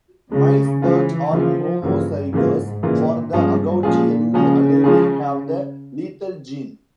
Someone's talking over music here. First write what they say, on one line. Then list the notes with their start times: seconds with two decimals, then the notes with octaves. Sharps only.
Mice that are homozygous for the agouti yellow allele have the lethal gene.
0.32 C#3 G#3 C#4 F4
0.82 E3 G#3 C#4 F4
1.32 C#3 E3 F3 A#3 F4
1.82 G2 C#3 E3 A#3 F4
2.33 G#2 C#3 E3 A#3 F4
2.83 A#2 C#3 E3 A#3 F4
3.33 G2 F3 G#3 C#4 F4 G#4
3.83 A#2 F3 G#3 C#4 F4 G#4
4.34 C#3 F3 G#3 C#4 F4 G#4
4.84 F3 G#3 C#4 F4 G#4